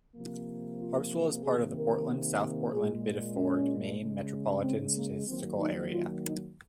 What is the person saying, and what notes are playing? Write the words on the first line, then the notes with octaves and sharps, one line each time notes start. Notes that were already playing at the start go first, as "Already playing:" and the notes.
Harpswell is part of the Portland-South Portland-Biddeford, Maine Metropolitan Statistical Area.
C3 F3 A#3
F4
C3 D#3 A#3 G#4
A#4
A#2 G#3 G#4
C#4
C#3 G#3
C4
A#3
D#3 F#3 A#3 C4
D#4
F4
D#4